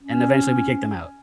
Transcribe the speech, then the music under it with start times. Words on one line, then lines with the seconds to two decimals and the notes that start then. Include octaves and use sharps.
and eventually we kicked them out.
0.03 C#4